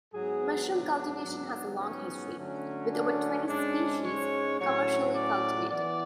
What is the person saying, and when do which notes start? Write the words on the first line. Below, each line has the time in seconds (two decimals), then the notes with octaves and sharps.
Mushroom cultivation has a long history, with over twenty species commercially cultivated.
0.13 G#2 F#3 B3 G#4
0.69 D4
1.25 G#2 F#3 B3
1.80 C#4
2.36 D3 F#3 A3 C#4
2.93 D4
3.47 G#2 G#3 C#4 D4
4.04 C#5
4.59 A2 F#3 C#4 C#5
5.15 D5
5.70 E3 B3 D5